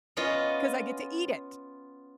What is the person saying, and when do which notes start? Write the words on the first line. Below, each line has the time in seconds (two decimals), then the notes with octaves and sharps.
'Cause I get to eat it."
0.17 B3 C#4 F4 D#5